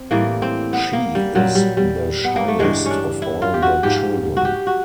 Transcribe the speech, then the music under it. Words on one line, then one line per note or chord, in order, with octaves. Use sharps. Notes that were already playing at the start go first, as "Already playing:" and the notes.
She is the shyest of all the children.
Already playing: C4
A2 E3 G3 A#3
C4
B3
A#3
G3
A#2 F#3 G3
G3
G3
B3
A#3
A3
G2 E3 G3 G#3
C#4 D4
E4
F4
G4
F#4
G#2 F3 G4
F#4
G4
F#4